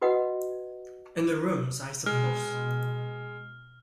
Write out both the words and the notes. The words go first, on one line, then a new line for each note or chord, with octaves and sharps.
In the rooms, I suppose?
F4 F#4 B4 D#5 F#5
B2 G#3 F6